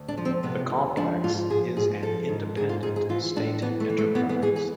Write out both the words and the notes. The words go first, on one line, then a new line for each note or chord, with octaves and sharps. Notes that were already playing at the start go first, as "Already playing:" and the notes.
The complex is an independent state enterprise.
Already playing: D2
D4
F3
C4
C3 B3
D2
F3 D4
G#2 F4
F3 G#4
G#2 G#4
F3 A4
G#2
G#2 G#4
F4
G#2 G#4
G#4
E3 F4
A2 D4
E3 B3
A3
E3
A3
E3 B3
B3
E3 G#4
G#4